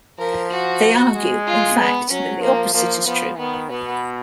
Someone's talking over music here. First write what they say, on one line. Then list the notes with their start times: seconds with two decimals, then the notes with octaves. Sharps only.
They argue, in fact, that the opposite is true.
0.18 F3 A#4
0.51 F#4
1.15 G#3
1.47 F4
1.79 B3
2.10 F#3 C#4
2.42 F3 A#3
2.74 F3 A#3
3.06 F3 B3
3.38 D#3 B3
3.70 B2 B3